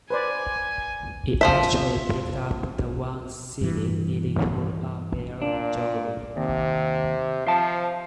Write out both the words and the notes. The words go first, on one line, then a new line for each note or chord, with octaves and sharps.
It actually picked up the one seat it needed for a bare majority.
B4 C5 D5 G#5
F3 C5 E5
G2 E3
A#2 D4
D#2 C3
F3 C5 E5 A5